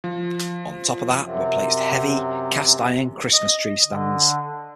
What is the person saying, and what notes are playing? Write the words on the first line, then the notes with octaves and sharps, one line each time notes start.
On top of that were placed heavy cast iron Christmas tree stands.
F3
F#2 C3
D#5
D3